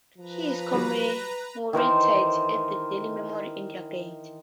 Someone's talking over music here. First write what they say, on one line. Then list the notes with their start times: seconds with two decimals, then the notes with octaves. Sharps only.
He is commemorated at the Delhi memorial India Gate.
0.17 F3 B4 A#5
0.71 F#3 G3 D5
1.73 D#3 E3 A#4 C5